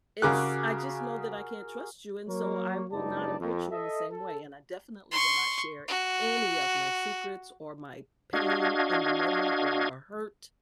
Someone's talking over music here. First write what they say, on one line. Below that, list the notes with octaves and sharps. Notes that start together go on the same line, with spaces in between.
it's I just know that I can't trust you, and so I will not approach you in the same way, and I definitely will not share any of my secrets or my pain in the moment or a hurt.
C#3 F#4 G#4 A#4 D6 F#6
F#3 A#3 A#4 C#5
F#1 C#2 G2 D#4 D5 A5
F2
A4 D#5 E5
A4
C6 C#6
F#4
D4 F#4 D#5 F5 G#6